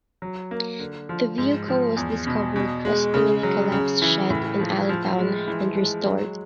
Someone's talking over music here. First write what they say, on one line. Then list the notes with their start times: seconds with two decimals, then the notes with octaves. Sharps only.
The vehicle was discovered rusting in a collapsed shed in Allentown, and restored.
0.22 F#3
0.51 A#3
0.80 D3
1.09 F3
1.38 G#2
1.68 F3
1.97 E2
2.27 B2
2.56 B2
2.85 G#3
3.14 C#3
3.43 F#3
3.72 C#3
4.02 E3
4.30 A2
4.60 F3
4.89 F3
5.18 G#3
5.47 E3
5.77 G#3
6.06 F#3